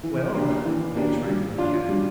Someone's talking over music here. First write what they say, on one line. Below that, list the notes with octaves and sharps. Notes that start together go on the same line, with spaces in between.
Well, I'll be as frank as I can.
E3
A#3 D4 G4
E3
A#3 D4 G4
G3
D4 F4
G3